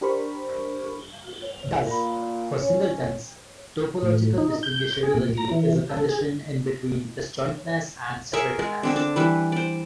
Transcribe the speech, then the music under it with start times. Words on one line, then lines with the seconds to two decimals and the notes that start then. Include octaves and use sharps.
Thus for singletons, topological distinguishability is a condition in between disjointness and separatedness.
0.01 D4 G4 A#4 C5 B5 C#6
1.87 A#2 A#4 B5
2.61 C#4 C#5
4.02 A2
4.38 D#4
4.63 G6
5.03 G#4
5.14 A#2
5.37 A#5
5.51 E3
5.89 A4
6.09 G#4
8.33 G#4 A#4 E5 C#6
8.59 G#3
8.83 D3 C4 D4
8.96 D4 A5
9.16 E3 G3 B4
9.52 C5 D5